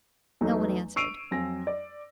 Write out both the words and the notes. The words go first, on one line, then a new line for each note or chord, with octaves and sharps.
No one answered.
E2 F#3 A3 B3 D#4
C#6 E6 C7 D7 D#7 F7
F2 F#3 G#5 A#6
D5